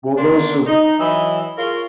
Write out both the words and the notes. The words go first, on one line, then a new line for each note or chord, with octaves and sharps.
Well, those are
A#3 B3 D4 F4 C6
D#4
E3 F#3 E4 D#5
F4 G#4 A#4 C#5